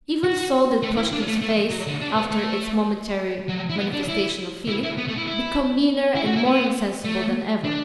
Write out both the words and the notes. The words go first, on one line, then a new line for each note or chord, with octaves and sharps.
Even so did Plushkin's face, after its momentary manifestation of feeling, become meaner and more insensible than ever.
F#4
A3
E4
D4
A3
A3
F#3
D3
D4
B3
A3
F#3
E4
B3
D4
E4
E4
E4
B3
A3
E4
E4
E4
F#4
E4
B3
A3
D4